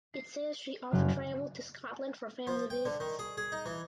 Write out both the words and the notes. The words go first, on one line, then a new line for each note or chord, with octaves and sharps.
It says she often traveled to Scotland for family visits.
C7
F#1 F#3 F6
F3
G5
D3
D#3
G#4
G#4
D#4
E3